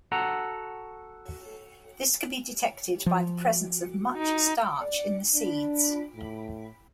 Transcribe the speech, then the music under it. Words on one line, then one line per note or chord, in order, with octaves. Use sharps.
This can be detected by the presence of much starch in the seeds.
F#4 A4 F#5 A#5
F3
D#4
D5
D4
A2